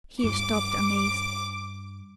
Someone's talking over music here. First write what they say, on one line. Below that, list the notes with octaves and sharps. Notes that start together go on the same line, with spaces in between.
He stopped amazed.
G2 D6